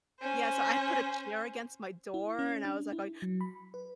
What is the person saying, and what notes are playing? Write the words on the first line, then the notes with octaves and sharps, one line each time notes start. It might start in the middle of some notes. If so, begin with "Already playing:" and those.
Yeah, so I put a chair against my door and I was like going,
C#4 C5
E4
C#4
D4
E4
F#3
B5
B4